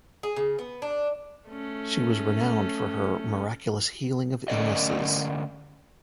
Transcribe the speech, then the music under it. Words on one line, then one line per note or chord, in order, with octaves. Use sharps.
She was renowned for her miraculous healing of illnesses.
G#4
C#3
B3
D4
A3 C#4
D3 A3 C#4 A#4 D5 D#5